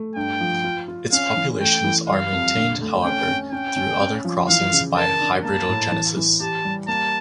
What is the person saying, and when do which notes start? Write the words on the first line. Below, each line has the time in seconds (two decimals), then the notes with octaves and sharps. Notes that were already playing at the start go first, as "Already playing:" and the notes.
Its populations are maintained however through other crossings by hybridogenesis.
Already playing: A3
0.16 G2 G5
0.41 F3
0.64 F4
0.88 F4
1.12 C#4 F5
1.36 E3
1.60 A3 G5
1.84 E3
2.08 G3 F5
2.32 F2
2.56 D3
2.80 A3
3.04 C#4 G5
3.28 C#4
3.52 C#4 G5
3.76 C#4
4.00 C#4
4.25 F3
4.48 E3 F5
4.73 C#3
4.96 A#4 A5
5.20 D4
5.44 A#3 A5
5.68 A2
5.92 E3
6.17 E3
6.40 G4 A5
6.65 G3
6.88 A#3 A5